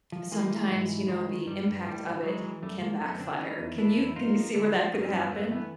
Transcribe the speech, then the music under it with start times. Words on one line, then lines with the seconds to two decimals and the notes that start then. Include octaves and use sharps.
sometimes, you know, the impact of it can backfire. Can you can you see where that could happen?
0.12 F3
0.32 E3 G#3 A#3
0.50 E3
0.70 G#2
0.89 E3
1.08 G2 F#3 G#3
1.28 D#3
1.46 G2 G3
1.66 G2
1.85 A2 G3
2.04 E3
2.23 E3 F#3 G#3
2.43 E3
2.62 F#2 G3 A3
2.81 F3 G#3 A#3
3.00 F#2 A3 B3
3.20 D3 C4 D4
3.39 E3 C#4 D#4
3.58 E2
3.78 E2 D4 E4
3.97 E2
4.04 E4
4.16 G2 D#4 F4
4.36 F3
4.54 D3 D4 E4
4.73 F3
4.93 G2 C#4 D#4
5.05 C4
5.12 G2 B3 C#4
5.31 G2 A3 B3
5.51 E3 A3 B3